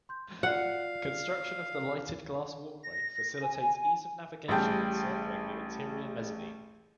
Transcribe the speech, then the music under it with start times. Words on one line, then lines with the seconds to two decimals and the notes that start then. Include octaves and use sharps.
Construction of the lighted glass walkway facilitates ease of navigation encircling the interior mezzanine.
0.09 C6 G6
0.43 F4 D5 F5 F#5
2.84 A#6
3.42 G#5
4.48 A1 G3 G#4 G5 A5 G6